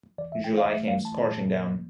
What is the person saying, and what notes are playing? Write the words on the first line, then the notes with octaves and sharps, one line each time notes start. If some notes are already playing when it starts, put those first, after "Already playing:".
July came scorching down.
E3 D5
E5
E4 G5
F5
A3 E5
F5
E3
A5
A#2
A#3
F3